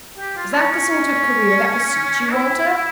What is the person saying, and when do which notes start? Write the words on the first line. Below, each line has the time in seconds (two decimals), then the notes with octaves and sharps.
Is that the sort of career that will suit you, Walter?
0.18 G4
0.36 F4
0.54 C#4
0.71 C#4
0.90 C#4
2.32 E4